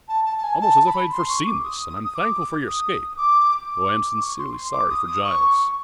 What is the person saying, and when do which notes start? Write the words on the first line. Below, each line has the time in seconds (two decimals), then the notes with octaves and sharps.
It is almost as if I had foreseen this; and I am thankful for your escape, though I am sincerely sorry for Giles.
0.08 A5
0.26 A5
0.38 A5
0.43 G#5
0.60 A5
0.86 B5
1.12 C6
1.29 C#6
1.46 D6
1.63 D#6
2.04 D#6
2.15 D6
2.66 D#6
3.18 D6
3.69 D6
4.10 D6
4.21 C#6
4.38 C6
4.56 C6
4.72 D6
4.89 D#6
5.07 D#6
5.24 C#6